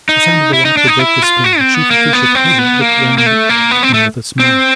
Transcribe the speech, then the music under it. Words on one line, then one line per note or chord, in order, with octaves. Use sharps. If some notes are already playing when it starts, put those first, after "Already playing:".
The sound of the laughter broke the spell. The chief official present looked round him with a smile.
D#4
E4
D#4
D4
D#4
E4
F4
F#4
C4
B3
A#3
B3
C4
B3
A#3
A#3
A3
A#3
B3
C4
A3
C4